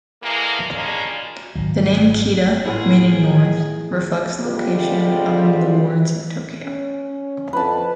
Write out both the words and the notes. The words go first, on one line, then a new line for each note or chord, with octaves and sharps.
The name "Kita," meaning "north," reflects the location among the wards of Tokyo.
D3 E3 G#3 A#3
G3 G#3 A#3 C#4 D4
G#1 D#3 F#3
A2 B3 F4 G#4
D3 G3 G#3 C4 F4
C#4
F2 B4 A5